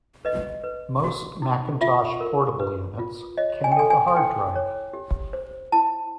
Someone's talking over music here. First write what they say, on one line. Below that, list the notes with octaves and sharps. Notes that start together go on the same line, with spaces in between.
Most Macintosh Portable units came with a hard drive.
B4 D#5
B4
F#4
D#4
F4 E5
A#4
B4
F4
C#5 D#5
G#5
G5
A4 G#5
G#5
G#5
E4 G5
C#5
G4
C5
E4 A5